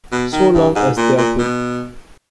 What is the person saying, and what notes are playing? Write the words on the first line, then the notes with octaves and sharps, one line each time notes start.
So long as they're good.
B2
D#3
G2
G#2
A#2
A#2
B2